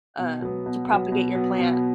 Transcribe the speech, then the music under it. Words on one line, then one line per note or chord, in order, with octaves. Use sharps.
um, to propagate your plant."
B2
F#3 B3
B2
F#3 B3
B2
F#3 B3
B2